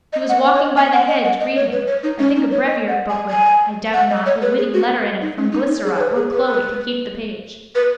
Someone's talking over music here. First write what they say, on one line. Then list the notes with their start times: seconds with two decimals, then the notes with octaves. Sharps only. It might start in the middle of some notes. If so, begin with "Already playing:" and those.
He was walking by the hedge, reading, I think a brevier book with, I doubt not, a witty letter in it from Glycera or Chloe to keep the page.
0.13 D#5
0.29 F#5
0.45 F#5
0.54 C#5
0.60 D#5
0.77 G#5
0.93 F#5
1.08 D#5
1.24 F#5
1.40 D#5
1.56 C#5
1.72 B4
1.87 C#5
2.03 D#4
2.19 C#4
2.36 D#4
2.51 C#5
2.67 D#5
2.88 F#5
3.09 G#5
3.30 G#5
3.94 F#5
4.10 D#5
4.26 C#5
4.42 B4
4.58 G#4
4.74 F#4
5.22 D#4
5.38 C#4
5.52 D#4
5.68 D#4
5.84 G#4
5.95 C#5
6.00 B4
6.16 G#4
6.32 B4
7.75 B4